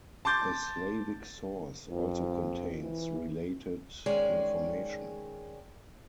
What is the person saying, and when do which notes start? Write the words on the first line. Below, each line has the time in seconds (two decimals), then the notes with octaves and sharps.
A Slavic source also contains related information.
0.25 A5 C6 D6 G6 A6
1.89 F2
2.81 E3
4.06 D#3 G#3 C#4 G#4 D5